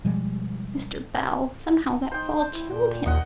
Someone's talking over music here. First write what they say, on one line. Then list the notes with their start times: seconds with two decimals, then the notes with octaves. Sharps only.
Mr. Bell, somehow that fall killed him!'
0.05 B2 F3 G3 G#3
2.12 D#4 C5 G5
2.54 E4
2.70 A#2
3.06 D#2 D#5 F#5